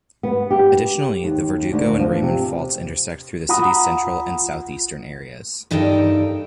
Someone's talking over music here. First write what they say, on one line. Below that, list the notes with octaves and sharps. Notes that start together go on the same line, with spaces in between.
Additionally, the Verdugo and Raymond faults intersect through the city's central and southeastern areas.
B3
G4
D#2
D2
F3
C3
F4 F#5 A#5 B5 D#6
G2 D#4 A4 A#4 G5